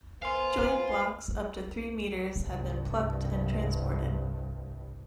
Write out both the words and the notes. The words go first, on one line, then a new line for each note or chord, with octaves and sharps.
Joint blocks up to three meters have been "plucked" and transported.
B3 A#4 C5 F5 G#5 C6
C2 G2